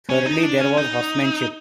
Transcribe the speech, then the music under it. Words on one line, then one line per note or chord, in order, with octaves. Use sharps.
Thirdly there was horsemanship.
C#4
D#4
D4
C#4
D#4